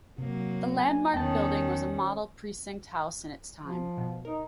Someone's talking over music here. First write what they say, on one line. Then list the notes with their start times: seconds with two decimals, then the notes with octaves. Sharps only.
The landmarked building was a model precinct house in its time.
0.18 C3 F#3 A#3
0.79 G#5
1.14 E2 D#3 B3 C#4 D4 G5 A5
3.63 F3
3.98 B2
4.25 D#4 A#4